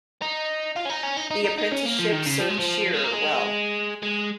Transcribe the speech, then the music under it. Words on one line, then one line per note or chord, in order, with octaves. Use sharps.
The apprenticeship served Shearer well.
D#4
F4
C#4
D#4
C#4
D#4
D#4
D#4
D#4
C#4
A#3
F3
D#3
C#3
F3
G#3
F3
G#3
A#3
G#3
G#3